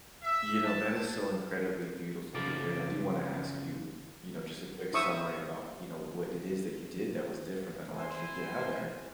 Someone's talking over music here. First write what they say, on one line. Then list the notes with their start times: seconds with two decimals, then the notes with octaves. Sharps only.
You know, that is so incredibly beautiful to hear and I do wanna ask you, you know, just a quick summary about, you know, what it is that you did that was different that allowed you to get outta there.
0.22 E5
0.63 A5
2.35 F#2 C#3 F3 D5
4.93 E4 C5 E5 C#6 D#6 E6
7.94 E4 C5 G#5